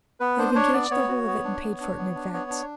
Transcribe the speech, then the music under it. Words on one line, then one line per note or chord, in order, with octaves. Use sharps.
"They have engaged the whole of it and paid for it in advance."
B3 B4
D4 C5
D4 C#5
B3 D5
B3 C#5
F#4
B3
D4
B3
D4
B3
D4
B3 C#5
D4